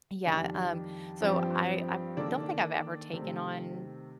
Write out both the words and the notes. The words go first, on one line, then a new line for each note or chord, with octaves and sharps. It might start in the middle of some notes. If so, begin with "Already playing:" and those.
Yeah. Um, so I, uh, don't think I've ever taken on,
F2 D#3 G3 D4 G4
G2 F3 C4 G4
D#3 A#3 D4 A4
C3 D#3 A3 C4